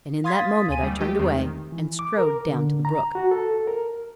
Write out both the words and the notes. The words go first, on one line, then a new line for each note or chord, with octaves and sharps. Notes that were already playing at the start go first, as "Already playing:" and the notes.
And in that moment I turned away and strode down to the brook.
F5 C6 D#6 G#6 A6 B6
D2 G#5 D#7
G3 A3
G#3 A3 G4
E2 D#3 C4
E3
D6
A#4
D3
A#5
F#4
A4
A#4